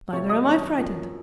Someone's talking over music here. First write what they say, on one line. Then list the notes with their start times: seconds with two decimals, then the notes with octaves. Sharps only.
"Neither am I frightened."
0.12 C3 F#3 A3 C4 C#5 C#6
0.28 D#5 D#6
0.45 F#2 D#3 F#3 C#5 C#6
0.78 F#2 F3 A#3